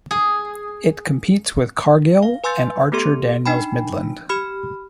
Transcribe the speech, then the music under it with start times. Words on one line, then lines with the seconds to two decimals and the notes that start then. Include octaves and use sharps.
It competes with Cargill and Archer Daniels Midland.
0.11 G#4
2.23 F5
2.44 B4 G#5 C6 E6 G6 A6
2.92 A3 B3 G4 A4 C6
3.46 D4 D#4 G5 G#5 B5
4.29 G4 B5 F6